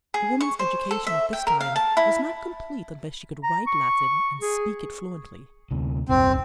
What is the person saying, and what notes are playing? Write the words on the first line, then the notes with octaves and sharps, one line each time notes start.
A woman's education, at this time, was not complete unless she could write Latin and speak it fluently.
G#4
C#6
C5
A4
E5
G5
A#4
F5
A5
E4
A#5
C#6
G#4
D2 C3
D#1 C2 F#2 C4